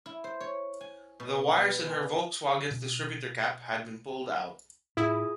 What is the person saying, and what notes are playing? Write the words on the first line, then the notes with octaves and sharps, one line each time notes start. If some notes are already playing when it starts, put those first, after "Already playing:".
The wires in her Volkswagen's distributor cap had been pulled out.
E4
C5
C#5
G#5
B2
B3
G#3
B2 C#4
A2 E4 F4 G#4 D#6